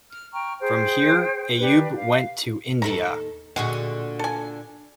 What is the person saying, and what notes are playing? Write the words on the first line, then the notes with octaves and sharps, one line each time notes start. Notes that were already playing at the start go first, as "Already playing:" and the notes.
From here, Ayoub went to India.
F6
G5 A#5 C#6 F6
G#4 C5 G5
D4 G4 B4 F#6
F5
D#2 E4 A4 A#5
A#2 D3 G#3 F#4
A4 G#5